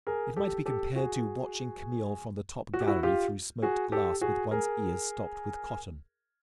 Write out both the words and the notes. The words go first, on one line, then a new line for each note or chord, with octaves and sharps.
It might be compared to watching Camille from the top gallery through smoked glass, with one's ears stopped with cotton.
G#4 A#4
G4 A4
G4 A4
F#4 G#4
F#4
G4
E4 F#4
F4 G4
F#4 G#4
G4 A4
F#4 G#4
G#4 A#4